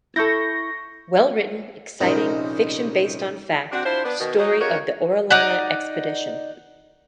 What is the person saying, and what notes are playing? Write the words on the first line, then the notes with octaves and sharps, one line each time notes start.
Well-written, exciting, fiction-based-on-fact, story of the Orellana expedition.
E4 A4 C#6 G6 A#6
A#1 C3 C#4 D#4 A#4 D#5
C4 D4 F#4
D4 E4 F4 C5
B3 D4
B2 D#3
F#3 D#4
A#3 C#4 D#4 F#4 A#4 C#5
D#4 D5 F#5